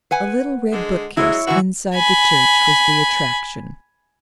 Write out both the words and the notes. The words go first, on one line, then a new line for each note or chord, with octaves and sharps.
A little red bookcase inside the church was the attraction.
B4 F#5 G#5
D3 G#3
F#3 G#3 E4 C#5
G#2 E3 E4 F#4
G#5 B5